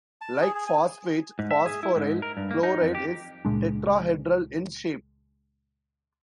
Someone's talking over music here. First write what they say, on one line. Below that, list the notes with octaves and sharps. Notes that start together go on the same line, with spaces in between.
Like phosphate, phosphoryl chloride is tetrahedral in shape.
A5
G#4
G#4
G#5
G#2
E5
G#4
E4
G#2
A#4
G2
A#3
D#4
F2
G4
C#2 A#2 G#3 D4